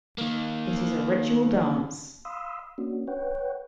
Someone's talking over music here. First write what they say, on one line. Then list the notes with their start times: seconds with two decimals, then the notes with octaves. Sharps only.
It is a ritual dance.
0.18 D#3 A#3
2.25 F5 B5 C6 D#6 E6
2.78 A#3 C#4 D4 F#4
3.08 B4 C#5 F#5 G5